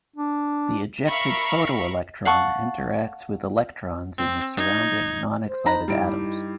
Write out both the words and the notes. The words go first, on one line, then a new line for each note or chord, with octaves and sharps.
The ejected photoelectron interacts with electrons in the surrounding non-excited atoms.
D4
A#4 E5 F5 B5 C#6
F5 F#5 A5 C#6
C4
D#4 G#6
C5
D4 D#4 A#5 B5
G2 E4 G4 D7